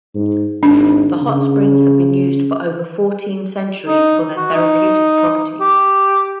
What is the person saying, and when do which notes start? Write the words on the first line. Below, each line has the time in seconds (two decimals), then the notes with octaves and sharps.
The hot springs have been used for over fourteen centuries for their therapeutic properties.
0.15 G#2
0.63 G#1 D4
1.22 C#3
3.88 D#4
4.37 F#4
4.54 D#4
5.61 G4